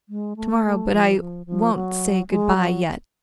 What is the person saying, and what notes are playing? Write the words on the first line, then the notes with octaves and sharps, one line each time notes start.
Tomorrow--but I won't say good-by yet.
G#3
A3
A3
F3
F3
F3
F#3
G#3
F#3